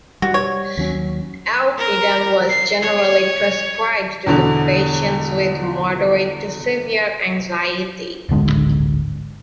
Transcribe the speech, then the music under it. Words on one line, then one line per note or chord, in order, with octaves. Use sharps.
Alpidem was generally prescribed to patients with moderate-to-severe anxiety.
G3 F#4
C#5
D#2 F#3 C#4
A#4
C7
C#5
E2 B2 D3
D1 G#1 D3 G#3